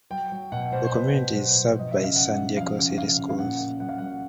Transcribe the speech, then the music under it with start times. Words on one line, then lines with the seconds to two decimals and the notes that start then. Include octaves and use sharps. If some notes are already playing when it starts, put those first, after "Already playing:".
The community is served by the San Diego City Schools.
0.10 F#3 G5
0.32 F#3
0.52 B2 F#5
0.72 B2 C5
0.94 B2 B4
1.14 B2
1.33 F#3 C5
1.55 B2
1.75 F3 D#5
1.91 C#3 E5
2.04 F5
2.16 C#3 F#5
2.36 F3
2.57 F3 F5
2.78 C#3
2.98 C#3 F5
3.19 C#3
3.29 F5
3.39 A#2 F#5
3.60 A#2
3.80 F#3 F#5
3.89 F5
3.98 F#3 F#5